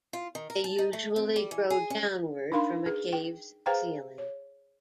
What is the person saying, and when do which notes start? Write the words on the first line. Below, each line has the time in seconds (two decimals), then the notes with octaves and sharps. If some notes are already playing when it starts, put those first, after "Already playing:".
They usually grow downward from a cave's ceiling.
0.13 F4
0.35 D#3
0.50 A#4
0.64 A5
0.78 D#4
0.93 A3
1.16 C4
1.36 G3
1.51 E3
1.70 G#4
1.90 C#4
2.52 D4 D#4 A#4 F5 B5 C6
2.86 G#4 B4
3.13 G5
3.66 G#4 B4 C5 F5 G5 A#5
4.18 C#5